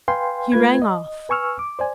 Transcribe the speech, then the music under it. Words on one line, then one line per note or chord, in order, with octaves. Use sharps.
He rang off.
B4 F5 G5 G#5 C6
A3 F4 B4 G#6
D#5
B4 G#5 C#6 E6 F6
D6
C5 D5 G#5